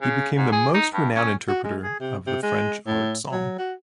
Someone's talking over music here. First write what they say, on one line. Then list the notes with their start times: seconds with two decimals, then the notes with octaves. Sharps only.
He became the most renowned interpreter of the French art song.
0.02 C#3
0.36 G#2
0.52 G#4
0.74 D#4
0.94 G2
1.16 C#4
1.49 F#4
1.64 G#3
1.83 G#4
2.00 C3
2.27 C3
2.42 G#3
2.87 A2
3.32 F#3
3.59 F#4